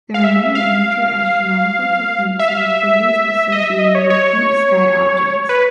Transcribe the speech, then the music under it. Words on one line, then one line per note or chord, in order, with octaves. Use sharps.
There are many amateur astronomical techniques and activities associated with deep-sky objects.
F5
E5
F5
E5
F5
E5
D#5
E5
D#5
C#5
C#5
B4